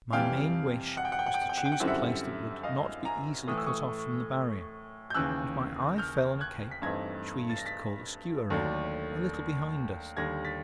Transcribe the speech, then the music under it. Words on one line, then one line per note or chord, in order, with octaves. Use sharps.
My main wish was to choose a place that would not be easily cut off from the Barrier, and my eye fell on a cape which we used to call the Skuary a little behind us.
F2 C3 E3 G3 F5 G5
F#5
G5
F#5
G5
F#5
G5
F#5
G5
F#5
G5
F#5
F#2 D3 G3 C4 E4 G5
E5 F#5
D#5 F5
G#5 A#5
A2 E3 A3 D#6
E6
C#6 D#6
G6
D#2 C#3 E3 E6 F#6
F6 G6
F#6 G#6
B6
G2 E3 A3 C4 D#4 G#6 A#6
A6
A#6
A6 B6
D#2 D3 F#3 A3 D4
D#2 D3 G3 G#6 A#6
A6 B6